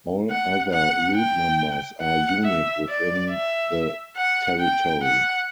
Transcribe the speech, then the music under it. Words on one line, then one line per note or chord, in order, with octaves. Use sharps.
All other route numbers are unique within the territory.
F#5
F#5
G5
F#5
E5
D5
E5
F#5
G5
F#5